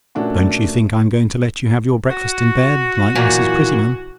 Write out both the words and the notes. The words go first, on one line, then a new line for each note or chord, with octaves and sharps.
But don't you think I'm going to let you have your breakfast in bed, like Mrs. Prettyman.
A#2 A3 C#4 D4 F#4
F#4
A#2 E3 F#3